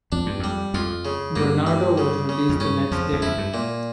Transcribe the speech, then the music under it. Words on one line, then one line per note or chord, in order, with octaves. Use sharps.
Bernardo was released the next day.
F2 D4
G2
F2 G3
F2 F4
C#3
G2 A#3
G3
C#3
C#3
F2
G2 C#4
F2 F3
E2
F2 E4
G2
A#2